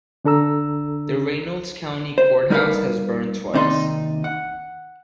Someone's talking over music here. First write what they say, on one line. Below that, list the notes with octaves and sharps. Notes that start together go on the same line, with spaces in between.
The Reynolds County Courthouse has burned twice.
D3 D4 A4 A#5 E6
C5
G3 D#4 A#4 B4 F5
D#2 C3 D#4 D5 C6
F#5